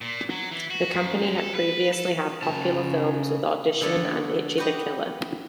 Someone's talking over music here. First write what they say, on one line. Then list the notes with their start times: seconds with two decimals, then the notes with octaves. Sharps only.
The company had previously had popular films with "Audition" and "Ichi the Killer".
0.01 A#2
0.30 F#3
0.51 E3
0.70 F#4
0.94 F#2
1.22 F#2
1.38 A4
1.54 B4
1.93 A4
2.43 C#3 A5
3.81 D3 B3 A4 C#5 D5
4.58 F#4 G4 B4 D#5